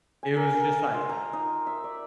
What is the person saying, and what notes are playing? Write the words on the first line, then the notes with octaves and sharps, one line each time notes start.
it was just, like,
G#5
A#4
A#4
D#5
F4
A#5
D#4
E5
D5